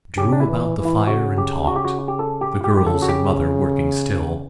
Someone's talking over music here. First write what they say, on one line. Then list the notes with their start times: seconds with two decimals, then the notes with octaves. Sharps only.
They drew about the fire, and talked; the girls and mother working still.
0.17 C#3 G4
0.32 D4
0.40 E4
0.48 E3
0.78 E3
0.85 E4
1.07 C#3 F#4
1.38 G4
1.67 F#4
1.76 G4
1.85 F#4
2.08 G4
2.19 A4
2.41 G4
2.64 G4
2.77 G4
2.86 C#3 A4
3.02 F#4
3.08 G4